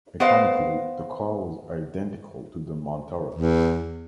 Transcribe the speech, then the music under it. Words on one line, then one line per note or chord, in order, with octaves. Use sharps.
Mechanically the car was identical to the Mantara.
B3 B4 C5 D#5 F5
E2